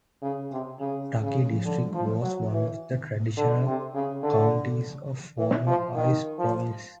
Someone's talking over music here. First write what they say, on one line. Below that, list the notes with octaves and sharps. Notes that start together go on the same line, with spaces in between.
Taki District was one of the traditional counties of former Ise Province.
C#3
C3
C#3
C#3
D3
F3
F#3
E3
D3
C3
C#3
D3
E3
F3
D#3
F3